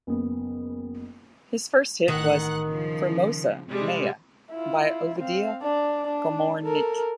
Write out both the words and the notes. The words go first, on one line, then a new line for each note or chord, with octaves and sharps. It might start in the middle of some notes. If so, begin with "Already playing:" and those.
His first hit was "Frumoasa mea" by Ovidiu Komornyc.
F#1 B3
A1 D#3 F#5 F#6
C#3 F3
C3 G3 G#3
E4 F4
C4 F5
D4 D5
D4
A4 A#4